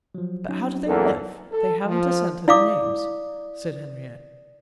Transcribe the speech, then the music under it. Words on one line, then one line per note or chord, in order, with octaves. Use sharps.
"But how do they live?--they haven't a cent to their names," said Henriette.
F3 F#3
F#3 C#4 D#4
B1 E2 A#2 A4
A4
F3
E4 D5 F5 D6 D#6